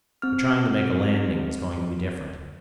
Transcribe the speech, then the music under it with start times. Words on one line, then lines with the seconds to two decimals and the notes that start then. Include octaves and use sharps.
But trying to make a landing was going to be different.
0.22 C4 F6